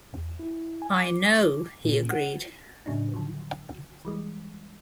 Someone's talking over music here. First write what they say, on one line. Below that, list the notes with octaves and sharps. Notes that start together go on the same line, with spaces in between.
"I know," he agreed.
E2
E4
G#5
D6
A#2
F#5
A2 C#3 F#3 D4 D#4
D3 F3 F#3
E3 G3 G#3